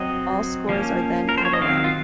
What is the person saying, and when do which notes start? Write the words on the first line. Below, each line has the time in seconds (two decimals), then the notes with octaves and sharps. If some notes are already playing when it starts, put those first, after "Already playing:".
All scores are then added up.
Already playing: F#3 C4 D#5
0.69 F3 A#3 C#4
1.29 A#4
1.38 C5
1.45 C#5
1.53 D#5
1.61 D#3 F#3 C4 F5
1.84 F4